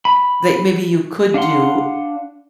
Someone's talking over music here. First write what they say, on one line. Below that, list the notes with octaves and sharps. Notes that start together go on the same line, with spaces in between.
that maybe you could do
B5
D4 F5 F#5 C6